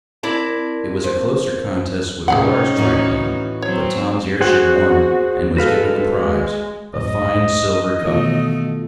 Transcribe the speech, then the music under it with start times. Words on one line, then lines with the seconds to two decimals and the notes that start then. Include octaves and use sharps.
It was a closer contest with the large triplane, but Tom's airship won, and was given the prize, a fine silver cup.
0.23 C4 E4 A#4 D5 A5
1.04 F3
2.28 A2 C3 C#4 D#4 G#4 F5 F#5
2.76 A2 E3 F#4
3.62 F#3 C4 C#5
4.41 F#4 G#4 C5 F#5
5.57 G#3 F#4 A4 B4 F5
6.14 G#3
6.95 C#2 F#2 A2 D#5
8.02 B2 D#3 E3 A3 F4